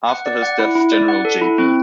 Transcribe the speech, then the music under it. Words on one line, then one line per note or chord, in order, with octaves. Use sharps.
After his death General J.-B.
F#5
D5
F#5
E4
E4
D5
F#5
A4
E4
C4